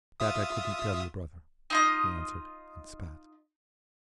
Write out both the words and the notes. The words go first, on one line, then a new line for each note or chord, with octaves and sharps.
"That I couldn't tell you, brother," he answered, and spat.
F4 E5 D#6
D#4 F4 D#5